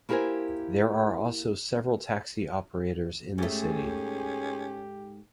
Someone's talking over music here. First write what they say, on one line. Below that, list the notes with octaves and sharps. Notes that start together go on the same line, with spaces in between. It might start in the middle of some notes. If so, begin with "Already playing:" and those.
There are also several taxi operators in the city.
A#3 E4 G4 A#4 C5 G#5
G#2 A3 C#4 G4 G#4